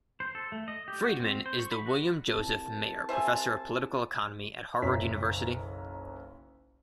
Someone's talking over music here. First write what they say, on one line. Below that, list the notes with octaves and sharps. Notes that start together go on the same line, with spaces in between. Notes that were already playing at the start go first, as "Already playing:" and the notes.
Friedman is the William Joseph Maier Professor of Political Economy at Harvard University.
C5
A4
A3
D#5
G4
F#4
C4
C5
C#6
B5
F#4
C2 A5
C5 E5 G#5
F#1 B1 C#5 E5 A#5 B6